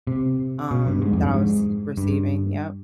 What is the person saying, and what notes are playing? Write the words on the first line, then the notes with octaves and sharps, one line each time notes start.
um, that I was receiving. Yep.
C3
B2
G2
G#2
F2
G2
G#2
G2